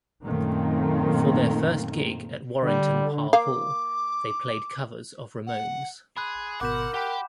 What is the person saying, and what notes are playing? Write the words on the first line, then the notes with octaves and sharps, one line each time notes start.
For their first gig at Warrington Parr Hall, they played covers of Ramones.
F#2 A#2 D#3 A3 A#3 C4
D3 G3
A#3 F5 D6
F#5
G#4 B5 C6 F#6
G#1 B2 A#4 F#5 B5 D6 G6 E7
G4 F#5 G5 B5